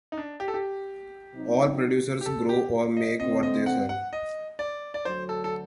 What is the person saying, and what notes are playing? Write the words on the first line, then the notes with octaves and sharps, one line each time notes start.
All producers grow or make what they sell.
D#4
D4
G4
A4
G4
C3 F#3 C4 D#4
G4
A4
G4
D#5
D3 A3 C4 D#5
D#5
F#5
F#5
D#5
D5
D5
D2 D3 F#3 C5
A4
A4